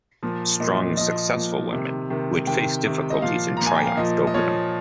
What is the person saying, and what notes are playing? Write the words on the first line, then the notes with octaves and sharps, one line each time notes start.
Strong, successful women, who had faced difficulties and triumphed over them.
A#2 F3
A#2 F3 D#5
A#2 F3 D#5
A#2 F3
C3 D#3
C3 D#3
C3 D#3 G5
C3 D#3
D#5
A#2 F3 F5
A#2 F3 A#5
G#5
G5
F5
A#2 F3 D#5
D#5
A#2 F3 C#5